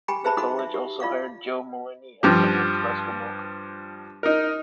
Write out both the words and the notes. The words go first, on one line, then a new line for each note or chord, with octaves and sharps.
The college also hired Joe Mullaney as the men's basketball coach.
G4 G5 G#5 B5 D6
G#4 B4 C5 E5 A5 B5
D#4 F#4 B5 D6
E5
G4
F4 D5 F5 D6
G2 F3 G4
D#4 A#4